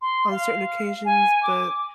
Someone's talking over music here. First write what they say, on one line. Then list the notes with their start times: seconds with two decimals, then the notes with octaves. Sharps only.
on certain occasions, but
0.02 C6
0.31 F5
1.05 G#5
1.43 D6